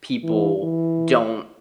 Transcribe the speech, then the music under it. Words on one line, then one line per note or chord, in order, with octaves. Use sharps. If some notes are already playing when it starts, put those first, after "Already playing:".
people don't
E3
E3